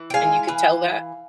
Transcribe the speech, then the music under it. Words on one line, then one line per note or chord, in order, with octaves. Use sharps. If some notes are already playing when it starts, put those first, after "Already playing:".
and you could tell that?
Already playing: E3
G5
G#3 F5 G#5
E3